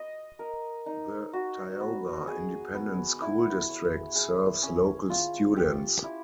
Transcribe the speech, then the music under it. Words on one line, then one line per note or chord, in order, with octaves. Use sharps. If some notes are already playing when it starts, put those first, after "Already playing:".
The Tioga Independent School District serves local students.
Already playing: D#5
A#4
D#4
F#4
B3
G#4
B3
E4
C#5
G#4
C#4
F4
G4
E4